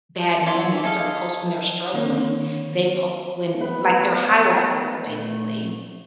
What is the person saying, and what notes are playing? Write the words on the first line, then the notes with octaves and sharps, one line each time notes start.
bad moments or post when they're struggling, they post when like their highlight reel basically.
C#5 D5 E5 C6
G#4 A4 D#5 F5
D#3 A#3 C4 C#5
G#3 A3 B3 B4
A#2 A3